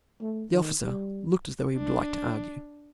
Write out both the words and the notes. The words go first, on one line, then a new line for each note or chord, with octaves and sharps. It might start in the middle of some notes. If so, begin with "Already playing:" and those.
The officer looked as though he would like to argue.
A3
D#3
G3
D4